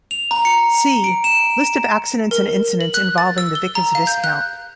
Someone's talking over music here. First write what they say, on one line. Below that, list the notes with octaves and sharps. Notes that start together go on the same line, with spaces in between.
See "List of accidents and incidents involving the Vickers Viscount".
F7
A#5
C#7
D7
E7
A#4
F#7
F#6
A6
E6
G7
A#5
F5
G6
F#6